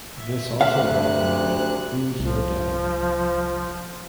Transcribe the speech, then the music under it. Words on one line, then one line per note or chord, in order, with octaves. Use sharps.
This also happened with Who's Your Daddy?
E5
D2 C3 E5 F5 F#6
C2 F3